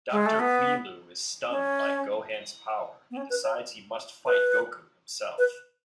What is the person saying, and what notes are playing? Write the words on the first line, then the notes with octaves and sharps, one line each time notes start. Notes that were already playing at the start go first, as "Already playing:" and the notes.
Doctor Wheelo is stunned by Gohan's power and decides he must fight Goku himself.
G#3
A3
B3
C#4
B3
C#4
B4
C#5
B4
B4